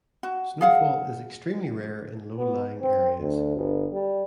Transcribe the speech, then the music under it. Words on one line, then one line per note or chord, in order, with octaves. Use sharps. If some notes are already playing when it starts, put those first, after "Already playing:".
Snowfall is extremely rare in low-lying areas.
F#4
G#4 F5 F#5
B3
C4
D2
G1
G3